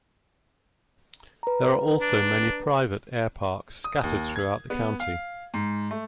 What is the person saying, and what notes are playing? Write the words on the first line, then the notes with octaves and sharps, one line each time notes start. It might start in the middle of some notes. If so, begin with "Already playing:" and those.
There are also many private airparks scattered throughout the county.
B4 A#5
D4
D#6
D#2
G#6
B3
F5
G#2
A3